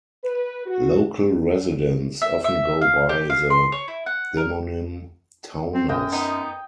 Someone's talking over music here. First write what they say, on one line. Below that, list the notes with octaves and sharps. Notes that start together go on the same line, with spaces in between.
Local residents often go by the demonym Towners.
B4
F#4
E5
E5
F5
G4
F5
C6
C#5
E4
F#5
A#4
C4
F#2 D#5 G5
B3 D#4